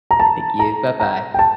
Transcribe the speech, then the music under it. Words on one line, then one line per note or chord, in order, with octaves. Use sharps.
Thank you, bye-bye.
A#5
A5
A#5
A#5
G5
A5